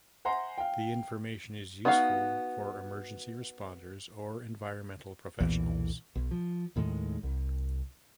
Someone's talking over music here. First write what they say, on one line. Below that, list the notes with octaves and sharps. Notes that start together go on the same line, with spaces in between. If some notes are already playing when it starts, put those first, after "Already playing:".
The information is useful for emergency responders or environmental professionals.
C5 E5 F#5 G#5 A#5 C6
F5 G5
B3 D#4 F#4 F5
B1 E2 A#2 E3
B1
F3
D#2 A2 D#3 G#3
C2